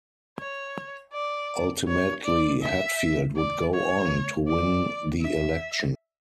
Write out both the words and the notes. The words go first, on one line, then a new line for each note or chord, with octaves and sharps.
Ultimately, Hatfield would go on to win the election.
C#5
D5
C#5
D5
E5
D5
C#5
D5
E5